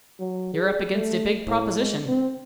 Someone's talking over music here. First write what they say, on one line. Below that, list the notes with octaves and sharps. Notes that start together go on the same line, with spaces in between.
"You're up against a big proposition."
F#3
G#4
A3
A2
G#3
C4